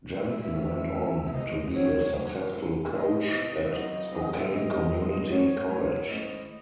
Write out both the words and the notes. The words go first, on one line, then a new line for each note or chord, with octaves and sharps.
Jensen went on to be a successful coach at Spokane Community College.
D#2 C#3 E3 G#3 E5
E5
E5
G#2 D#3 A3 C#4
A2 F#3 C#4 E4
E5
C3 E3 G#3 D#4 D#5
C2 C3 F#3 C4 D#4 C#5
G#2 F#3 A3 D#4
C3 E3 C4 E4
E2 D#3 A3 C4 E4 D#5
E2 C3 E3
E5
F#2 C#3 F#3 C4 E4 D#5
C2 C3 F#3
E5
C3 E3 A3 C4 D#4 D#5
C3 E3 C4
A1 G#2 F#3 A3 D#4 C#5
A2 F#3 A3 D#4
G#2 D#3 A3 C#4 E4 D#5